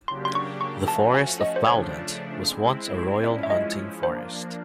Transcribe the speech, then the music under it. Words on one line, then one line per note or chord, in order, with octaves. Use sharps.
The Forest of Bowland was once a royal hunting forest.
C#3 F#3 A#3 D4 G4 C6
C6
C#6
C#6
F3 A3 C#4 F#4 A5
G#5
D#5
C5
C#3 F3 A3 D4 C#5
G#3 C4 E4
F3 G#3 C#4 E4 D5
E5
D#5
F3 A#3 D4 C5